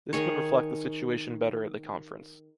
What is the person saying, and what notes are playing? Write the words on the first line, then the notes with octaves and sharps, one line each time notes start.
This would reflect the situation better at the Conference.
D#3 G#4 C#5